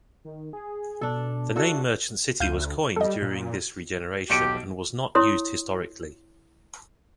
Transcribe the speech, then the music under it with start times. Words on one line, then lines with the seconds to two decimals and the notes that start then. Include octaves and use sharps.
The name 'Merchant City' was coined during this regeneration and was not used historically.
0.25 D#3
0.53 G#4
1.01 B2 D4 A4
1.56 D4 E4 F#4 A4
2.40 D2 F5 G6 D#7
2.96 G3 A4 D#5
3.22 A#2
4.30 B1 G4 C#7 D7
5.15 E4 C#5 C6 D#6